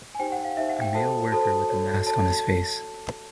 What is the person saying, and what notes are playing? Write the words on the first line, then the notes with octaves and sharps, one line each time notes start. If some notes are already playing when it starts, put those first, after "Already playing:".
A male worker with a mask on his face.
G#5
D#4 G4 C5 G5
F#5
F5
D#4 G4 C5 E5
F#5
G5
F#4 A4 C5 A5
F#4 A4 C5 A5
F#4 A4 C#5
F#4 A4 C#5 A5